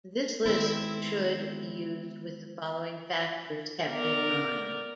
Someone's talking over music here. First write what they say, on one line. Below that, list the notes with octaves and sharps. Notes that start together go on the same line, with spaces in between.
This list should be used with the following factors kept in mind.
D#3 G#3 B3 C4 E4
B3 A#4 D5